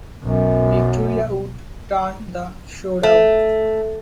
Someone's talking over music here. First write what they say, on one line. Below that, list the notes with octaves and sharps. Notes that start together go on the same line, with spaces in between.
Victoria Wood turned the show down.
B1 F#2
A3